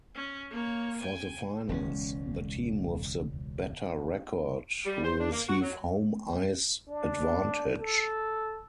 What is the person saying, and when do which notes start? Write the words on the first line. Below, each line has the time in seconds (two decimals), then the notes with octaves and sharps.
For the Finals, the team with the better record will receive home ice advantage.
0.15 C#4
0.51 A#3 C#5
0.99 G5 G#5
1.69 E1 C#2 C#4
4.85 G3
5.03 C5
5.20 D4
5.32 A#3
5.49 F#4
5.61 F#3
6.88 D4
7.79 A4